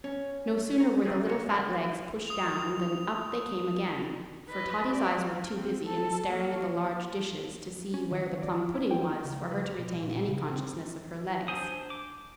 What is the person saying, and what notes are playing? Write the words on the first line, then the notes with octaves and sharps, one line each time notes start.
No sooner were the little fat legs pushed down than up they came again, for Totty's eyes were too busy in staring at the large dishes to see where the plum pudding was for her to retain any consciousness of her legs.
C#4
C#5 A#5
E3 A3 C4 D4 D#4 G#4
C#3 G#3 F#4 C#5
G#3 C#4 D4 D5
D#6 F7
B4 D#5
G4 D5
F4
C4
A4 A5
A#3 C#5
C#4
D#3
D5
E4
G5
C#2
B4
G4
B2
A#2
C#3
C4
D4 C5 G#5 D#6
D6